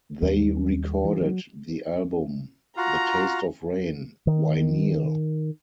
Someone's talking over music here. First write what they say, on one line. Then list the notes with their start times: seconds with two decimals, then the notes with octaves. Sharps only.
They recorded the album The Taste of Rain... Why Kneel?
0.22 D#2 G3
1.04 E3
1.21 F3 F#3
2.77 F4 F#4 A#5
4.27 D#3